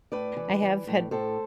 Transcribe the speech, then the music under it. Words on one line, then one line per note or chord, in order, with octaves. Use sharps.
I have had
A2 B4 D5
E3
E3
A2
A2 A4 C5